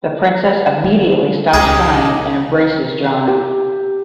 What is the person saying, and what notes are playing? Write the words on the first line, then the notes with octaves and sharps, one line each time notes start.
The princess immediately stops crying and embraces John.
D#3 G3
C#2 D#3 C#4 G4 G#4 D#5
G4